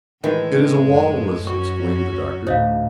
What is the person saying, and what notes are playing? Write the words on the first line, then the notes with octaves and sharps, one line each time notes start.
"It is a walrus!" exclaimed the Doctor.
A2 D#3 E3 G#3 D#5
F#2
C#4 F#4 C#6
D2 A2 D#4 C5 D#5 F5